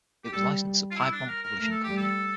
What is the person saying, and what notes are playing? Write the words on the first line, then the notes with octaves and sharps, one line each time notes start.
It was licensed to Piedmont Publishing Company.
G4
G3 A4
F4
E4
D4
A#4
A#4
A3 A#4
A4
G4
G3
A4